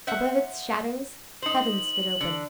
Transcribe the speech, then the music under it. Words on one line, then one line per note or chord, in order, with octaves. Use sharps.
Above its shadows heaven stood open.
C5 E5 F#5
D#4 C5 F#7
D3